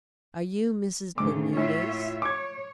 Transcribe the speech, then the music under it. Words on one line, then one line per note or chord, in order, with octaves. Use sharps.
"Are you Mrs. Bermudez?"
D2 A2 C#3 D6
A2 F4 C#5 E5
C#5 D6 G#6